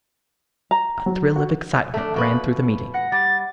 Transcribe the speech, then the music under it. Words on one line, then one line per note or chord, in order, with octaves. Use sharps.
A thrill of excitement ran through the meeting.
A#5
F#3
F#4
A3 D4
F2 B2 B4
F#5 A#6 C#7
G3 A6